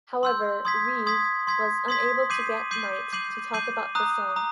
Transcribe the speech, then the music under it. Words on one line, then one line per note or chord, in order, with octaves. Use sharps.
However Reeve was unable to get Knight to talk about the song.
C6 E6 G6
C6 D#6 G#6 B6
C6 D#6 G#6 B6
C6 D#6 G#6 B6
C6 D#6 G#6 B6
D6 G6 C7 D#7 F#7
D6 G6 C7 D#7 F#7
D6 G6 C7 D#7 F#7
D6 G6 C7 D#7 F#7
A#5 D#6 F#6
A#5 D#6